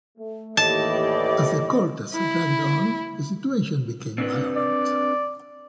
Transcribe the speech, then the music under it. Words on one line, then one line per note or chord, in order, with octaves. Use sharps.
As the "Cortes" dragged on, the situation became violent.
A3
D#2 A2 E3 G4 D5 D#5 A5
E4
C4 D4 B4
D5